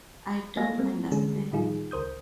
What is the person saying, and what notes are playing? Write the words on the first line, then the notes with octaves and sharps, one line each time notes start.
I don't understand.
A#3 D#5 F5 G#5 A#6
G3 A3 A#3 C4
D3 E3 G#3 C#4 G#4
A2 D#3 G3 D#4 F4 G#4
C#2 A#4 C5 D#6 G6